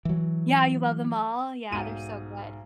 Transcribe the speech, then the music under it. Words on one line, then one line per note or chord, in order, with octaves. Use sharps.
yeah, you love 'em all? Yeah, they're so good.
E3 F#3
B1 G#2 D#7